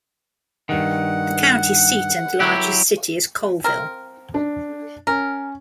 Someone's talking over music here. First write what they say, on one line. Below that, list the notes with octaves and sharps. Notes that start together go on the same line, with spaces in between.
The county seat and largest city is Colville.
G2 D#3 F#5
F#3 E4 G4
C4 F4 A#4
D4
C#4 A#4